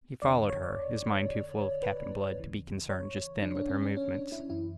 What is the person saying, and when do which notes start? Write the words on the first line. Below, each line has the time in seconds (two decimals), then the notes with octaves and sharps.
He followed her, his mind too full of Captain Blood to be concerned just then with her movements.
0.22 E2 D3 D5
0.49 C#5
0.63 D5
1.83 B4
2.36 D2 C#3 E3
2.89 C#5
3.42 D4
3.56 D4
3.69 C#4
3.83 C#4
3.97 C#4
4.14 D4
4.32 E4
4.49 F#2 E3 E4